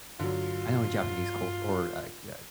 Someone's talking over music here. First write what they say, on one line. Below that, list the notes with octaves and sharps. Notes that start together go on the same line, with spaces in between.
I know in Japanese culture or, like, uh
G2 D3 F#3 F4